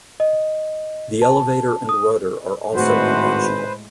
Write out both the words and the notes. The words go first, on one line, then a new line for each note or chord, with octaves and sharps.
The elevator and rudder are also conventional.
D#5
A5
D#6
G#1 A2 G#3 F#4 B4 C5